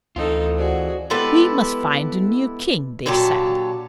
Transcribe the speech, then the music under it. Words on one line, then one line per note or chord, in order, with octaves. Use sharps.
"We must find a new king," they said.
D2 E3 C4 D#4 F4 A4
F#4 G#4 C5 D5 F#5
G#3 B3 E4 G4 A4 B4
A#2 D3 F#3 G4 A5